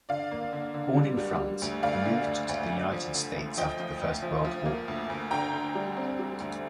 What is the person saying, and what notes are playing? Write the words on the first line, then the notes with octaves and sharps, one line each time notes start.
Born in France, he moved to the United States after the First World War.
D3 D5 F5
A#3
D3
D3
G3
G3
G3
D2
D2 D5 F5
D3
D2
D2
D2
F3
D3
D2
F3 D#5 G5
F3
D2
F3
F3
A#3
D2
D2
D3 G5 A#5
D3
G3
C4
G3
D2